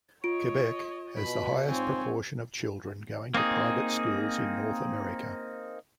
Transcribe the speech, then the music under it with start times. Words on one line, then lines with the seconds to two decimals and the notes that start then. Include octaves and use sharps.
Quebec has the highest proportion of children going to private schools in North America.
0.24 F4 C#5 D#5 D7
1.18 B2 B5
1.68 G#2 C4 F4 C#5 G#5
3.34 A#3 C4 D#4 G#4